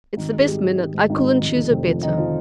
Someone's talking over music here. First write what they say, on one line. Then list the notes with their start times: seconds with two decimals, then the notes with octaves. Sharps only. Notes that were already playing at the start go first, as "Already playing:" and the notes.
"It's the best minute; I couldn't choose a better."
0.17 G#1 D#3 D#4
0.32 G#1
0.39 G#4
0.47 G#1 G3 G4
0.64 G#1
0.78 D#3
0.94 G#2
1.09 G#1 D#3 D#4
1.25 G#1
1.41 F1
1.56 F1
1.71 F1 C3 C4
1.87 F3
2.03 D3 D#3 D#4
2.17 F3 F4